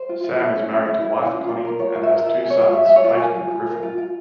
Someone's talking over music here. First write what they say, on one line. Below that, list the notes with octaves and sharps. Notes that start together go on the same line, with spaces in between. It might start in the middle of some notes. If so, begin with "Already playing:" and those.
Sam is married to wife, Connie, and has two sons, Clayton and Griffin.
Already playing: C5
F4
F4
E4
C#4
E4
E4
E4
C#4
F4
F4
A#4
F4 C#5
F4
E5
A#4
F4 E5
G#4
C#5
F4 F5
G#4 E5
G#4 E5
C#5
F4 F5
A#4 G#5
F4
F4
A#4
F4
F4